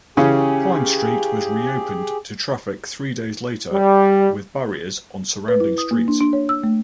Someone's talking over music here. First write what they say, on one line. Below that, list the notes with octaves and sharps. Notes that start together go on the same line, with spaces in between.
Pine Street was reopened to traffic three days later with barriers on surrounding streets.
C#3 E3 C#4 G4 G#4
G3
B4
E4
D#6
A#3
D4
D4
C#5
E6
A3